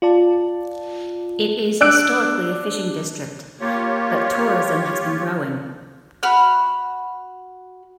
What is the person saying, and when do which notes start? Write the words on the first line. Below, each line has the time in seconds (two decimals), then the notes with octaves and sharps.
It is historically a fishing district, but tourism has been growing.
0.02 F4 D5 A5
1.81 D4 E6 F#6 D7
3.60 A#3 F4 G4 C#5
6.23 F#4 B5 F6